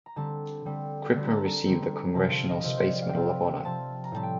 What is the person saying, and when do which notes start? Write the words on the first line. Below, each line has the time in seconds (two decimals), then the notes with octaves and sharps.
Crippen received the Congressional Space Medal of Honor.
0.06 A#5
0.16 D3 G3 C4 A5
0.65 D3 G3 C4
1.15 D3 G3 C4
1.25 A#5
1.34 A5
1.44 A#5
1.66 D3 G3 C4
2.14 C3 F3 C4 A5
2.32 F5
2.49 D#5
2.63 C3 F3 C4 A#4
2.77 C5
2.89 D5
3.02 F5
3.09 G5
3.14 C3 F3 C4 F5
3.65 C3 F3 C4 A5
4.04 A#5
4.12 A2 G3 C4 A5
4.23 G5